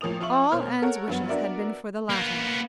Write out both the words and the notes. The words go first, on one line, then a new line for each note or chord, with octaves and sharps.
All Anne's wishes had been for the latter.
A1 F3 A#3 D#6 F7
F3 F4 E5 C#6 F#7
B2 A#3 C5 C#5 F6
A4 A#4 C#5 F#5
G2 F#3 B3
B3 D4 F#4 A#4 D5 E5
A#3 B3